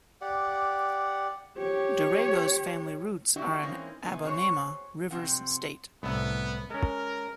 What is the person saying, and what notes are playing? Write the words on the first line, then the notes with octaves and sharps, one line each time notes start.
Darego's family roots are in Abonnema, Rivers State.
G4 D5 F#5
G4 C#5
D4 E4 F#4 G4 D5
E3 G#3 A#3 C4 C#4 D#4
C3 B3 D#4 G#4
C4 F#4 G#4 C#5
F2 C3 C4 F#5
C2 A2 B3 E5
G#3 C#4 A#4